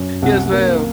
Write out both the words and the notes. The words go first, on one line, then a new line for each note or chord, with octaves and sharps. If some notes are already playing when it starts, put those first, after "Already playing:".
Yes, ma'am.
Already playing: F#2
C2 F#5
A#3